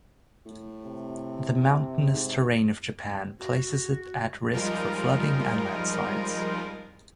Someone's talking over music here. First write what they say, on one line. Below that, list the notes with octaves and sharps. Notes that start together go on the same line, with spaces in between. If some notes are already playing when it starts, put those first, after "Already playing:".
The mountainous terrain of Japan places it at risk for flooding and landslides.
A2
C3
G#2
F#4
F3 G3 G#3 D#4 F4 A#4